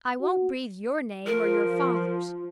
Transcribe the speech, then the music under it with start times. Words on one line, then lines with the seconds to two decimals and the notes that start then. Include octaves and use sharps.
I won't breathe your name or your father's.
0.22 F#4
1.26 F3 A#4